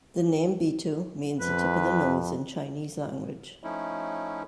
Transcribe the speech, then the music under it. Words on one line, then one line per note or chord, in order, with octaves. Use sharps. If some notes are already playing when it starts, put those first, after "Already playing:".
The name "Bitou" means the tip of the nose in Chinese language.
F2 B4
F3 A3 C#4 D#4 E4